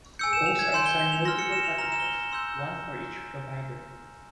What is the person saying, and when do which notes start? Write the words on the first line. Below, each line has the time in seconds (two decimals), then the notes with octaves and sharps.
Hosts are assigned multiple addresses, one for each provider.
0.19 G#5 E6 G6 C#7
0.33 E7
0.46 F7
0.59 G#6
0.72 G#5 C6 G6 E7
0.86 G7
0.99 G7
1.12 F7
1.25 C6 F6 A#6
1.39 C#7
1.52 E7
1.64 F7
1.78 A#5 F6 F7
1.92 E7
2.00 G7
2.05 F7
2.18 G7
2.31 C6 E6 G6 F7